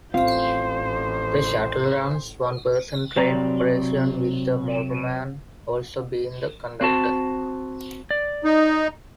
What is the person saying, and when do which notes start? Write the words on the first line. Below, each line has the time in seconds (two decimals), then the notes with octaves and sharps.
The shuttle runs One Person Train Operation with the motorman also being the conductor.
0.14 A1 C4 F4 C5 F5
3.16 C3 F#3 C4 D5 A#5
6.81 C4 F#4 A5
8.11 D5
8.44 D#4